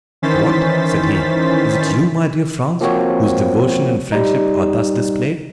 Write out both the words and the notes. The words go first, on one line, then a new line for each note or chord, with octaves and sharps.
"What," said he, "is it you, my dear Franz, whose devotion and friendship are thus displayed?"
D#3 E3 C#4 C5 A6 B6
F3 A#3 C4 F#4 C#5
G3 D#4